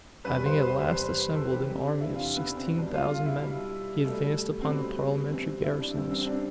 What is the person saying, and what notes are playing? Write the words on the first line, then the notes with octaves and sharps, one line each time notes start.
Having at last assembled an army of sixteen thousand men, he advanced upon the parliamentary garrisons.
E2 C3 G3 B4
C5
B4
E2 C3 G3 B4
B4
B4
A4
E2 C3 E3 G4
C4
D4
E4
E2 C3 E3 F4
B3
C4
B2 G3 D4
F4
F4
E4
B2 G3
B2 G3 A3
C4
B2 G3 B3
G2 E3 G3 C4
E4
D4
G2 E3 G3 C4
C4
C4
D4